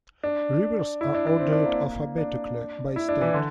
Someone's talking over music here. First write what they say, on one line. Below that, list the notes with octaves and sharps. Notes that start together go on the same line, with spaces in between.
Rivers are ordered alphabetically, by state.
D4
E4
D4
D4
C4
D4
A#3
D4
E4
D4
E3
D3